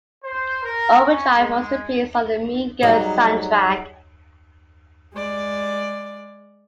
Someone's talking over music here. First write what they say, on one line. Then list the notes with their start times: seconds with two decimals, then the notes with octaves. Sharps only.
"Overdrive" also appears on the "Mean Girls" soundtrack.
0.24 C5
0.64 A#4
1.03 C#4
1.37 G#3
2.83 F#3 G3 D#4 G#4
5.13 G#3 D5